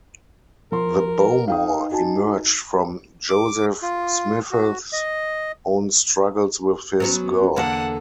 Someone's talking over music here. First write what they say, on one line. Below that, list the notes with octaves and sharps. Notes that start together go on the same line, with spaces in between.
The BoMor emerged from Joseph Smith's own struggles with his God.
F3 A#4 C6
D#4 F5 G5 D#6
F#4 G#5 A5
D6
F4
F#4
D#5
F#3 B3 C#4
E2 D3 A#3 F#5 A5